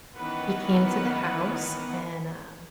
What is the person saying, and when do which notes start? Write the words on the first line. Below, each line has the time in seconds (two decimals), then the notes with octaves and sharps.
he came to the house, and, um
0.18 D#3 E3 B3 C#4 B4 F#5